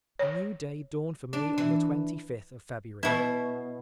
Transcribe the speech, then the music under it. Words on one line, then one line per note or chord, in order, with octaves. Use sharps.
A new day dawned for me on the twenty-fifth of February.
C#5
D4
E3
B2 E4